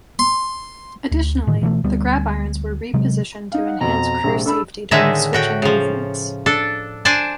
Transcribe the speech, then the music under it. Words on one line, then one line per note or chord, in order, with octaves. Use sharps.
Additionally, the grab irons were repositioned to enhance crew safety during switching movements.
C6
D2
A2 D3 D#3
B2 E3 G#3 A3
D2 G3 B3
C3 F#3 G#3
D#4 F5
F#5
F2 B2 A#5
A#1 C3 G#3
D4 A4 B5 E6
A2 D3 D#3 G#3 G#4 E5
A2 F#4 G5
C#3 F3
D4 A4
D4 C5 D5 G#5 A5